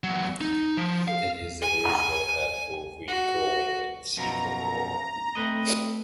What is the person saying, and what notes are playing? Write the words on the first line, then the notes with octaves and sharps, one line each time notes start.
It is the regional hub for wheat growing and sheep and wool.
E2 F#3
D#4
F3
F5
G#5
F#4
F#2 B2 F3 A#5
A3 C4 B4 D#5